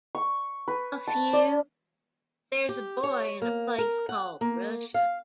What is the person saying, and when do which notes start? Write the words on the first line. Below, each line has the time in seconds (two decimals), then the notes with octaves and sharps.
A few...There's a boy in a place called Russia.
0.15 C#6
0.68 B4
1.08 A5
1.33 D5
2.69 G4
3.03 C#5
3.42 A#3
3.78 A#4
4.09 F#5
4.41 A#3
4.94 F5